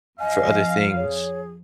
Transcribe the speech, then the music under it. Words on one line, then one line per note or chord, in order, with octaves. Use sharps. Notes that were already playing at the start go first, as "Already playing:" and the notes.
for other things,
F2 F3 D#5 F5 G#5
G#4 C#5